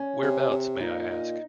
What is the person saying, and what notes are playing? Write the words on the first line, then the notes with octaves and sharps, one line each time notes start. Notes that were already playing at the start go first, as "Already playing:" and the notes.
Whereabouts, may I ask?
Already playing: C#4
C3
C3
A#2 D#4
A#2